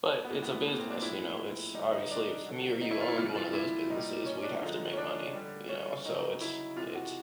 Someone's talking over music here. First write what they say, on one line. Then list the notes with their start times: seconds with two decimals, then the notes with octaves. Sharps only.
but it's a business, you know, it's obviously if me or you owned one of those businesses, we'd have to make money, you know, so it's it
0.25 B3
0.31 A2 E3 G#3 A#3
0.43 B3
0.67 A#3
0.78 C4
0.91 D4
1.02 A2 F3 G#3 E4
1.74 G3 D#4
1.78 D3
1.92 D#4
2.11 D4
2.46 D3 F#3
2.82 D#4
2.91 E4
3.01 F4
3.08 E4
3.18 C3 E3 G3 F4
3.35 F4
3.54 E4
3.90 A#2 G3 D#4
4.26 C#4
4.43 D4
4.62 D3 F3 G#3 D#4
4.93 C#4
4.97 D4
5.33 D3 G3
5.69 C#4
6.05 C#3 F#3 D#4
6.41 E4
6.77 C3 E3 G#3 F4
6.95 F#4